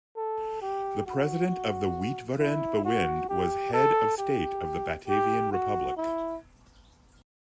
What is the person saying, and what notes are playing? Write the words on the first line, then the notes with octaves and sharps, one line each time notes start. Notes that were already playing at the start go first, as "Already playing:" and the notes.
The president of the Uitvoerend Bewind was head of state of the Batavian Republic.
A4
G4
F#4
E4
F#4
G4
A4
G4
G4
F#4
E4